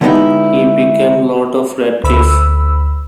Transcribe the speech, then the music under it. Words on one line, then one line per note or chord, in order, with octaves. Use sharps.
He became Lord of Radcliffe.
D3 G#3 B3 D#4 E4 G4
D2 B5 E6